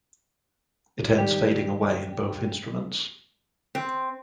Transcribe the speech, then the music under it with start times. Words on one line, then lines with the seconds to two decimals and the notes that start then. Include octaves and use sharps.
It ends fading away in both instruments.
1.18 D#3 G3 G4
3.75 C4